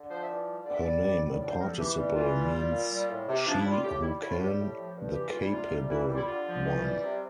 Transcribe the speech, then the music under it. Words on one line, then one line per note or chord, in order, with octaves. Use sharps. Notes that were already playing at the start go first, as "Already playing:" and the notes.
Her name, a participle, means she who can, the capable one.
Already playing: D3
F3 C5
E5
E3 D5
G3
D3 D5
E5
G3 D5
G3
A2
D3 D5
C5
F3 A#4
A4
E3 G4
G3
E3 F4
G3
G3
A#2
G3
A2
C3
F3 D4
E4
G3
F4
A2 G4
G3 E4
A2 E4
F4
G3 G4
A2
F3
G2
E3 G4
F4
G3
E4
C3 F4
G3
E3 E4
G3 F4
E4
D3 F4
F3
E3
G3
C3